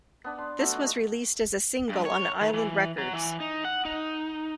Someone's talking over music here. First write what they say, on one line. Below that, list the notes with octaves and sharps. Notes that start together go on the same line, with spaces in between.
This was released as a single on Island Records.
B3 D4
C6
A3 B3 F#4
D#5
G2
C#5
D#3
E3
F#3
E3
D#4
F#5
D#4